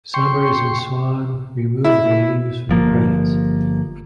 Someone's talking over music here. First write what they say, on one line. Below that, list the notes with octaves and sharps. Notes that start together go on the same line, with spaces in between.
Summers and Swan removed their names from the credits.
G5 C6 C#6
E4
G1 F3 A#3